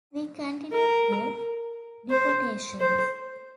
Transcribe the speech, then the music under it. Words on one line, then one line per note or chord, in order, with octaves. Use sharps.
We continued the deportations.
A#4
C5
C5